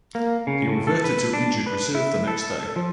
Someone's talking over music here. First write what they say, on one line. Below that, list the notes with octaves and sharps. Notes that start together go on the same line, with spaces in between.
He reverted to injured reserve the next day.
A#3
C#3
A2
A4
B4
D4
B4
E4
A4
F3